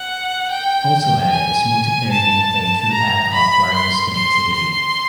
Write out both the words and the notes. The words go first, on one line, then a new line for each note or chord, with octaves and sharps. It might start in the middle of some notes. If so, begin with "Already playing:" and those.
Also added is multiplayer game-play through ad hoc wireless connectivity.
Already playing: F#5
G5
G#5
A5
A#5
B5
C6
C6
C6